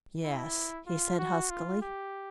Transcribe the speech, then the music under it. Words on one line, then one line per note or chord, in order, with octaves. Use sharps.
"Yes," he said huskily.
E4
F4
F#4
F4
G4